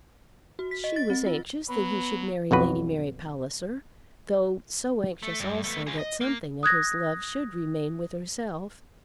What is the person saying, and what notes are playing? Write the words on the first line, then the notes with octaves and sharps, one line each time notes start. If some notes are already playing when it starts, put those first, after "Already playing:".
She was anxious that he should marry Lady Mary Palliser, though so anxious also that something of his love should remain with herself!
F#4
B6
D#5
A6
C4
F4
F#3 B3 B4
B1 F2 F#4 B4
A3
G2
A3 B3
F4 G#4
D#5
A#3
D#6 F#6 G#6 A#6